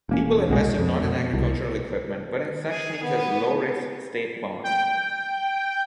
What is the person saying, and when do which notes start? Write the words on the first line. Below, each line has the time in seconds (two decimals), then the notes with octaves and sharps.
People invested not in agricultural equipment but in such things as low-risk state bonds.
0.09 E1 A#3 C#4
0.49 C2 B2 G#3
0.79 F2
1.04 B2
1.34 C2
2.70 G#4
3.02 B3
4.64 G5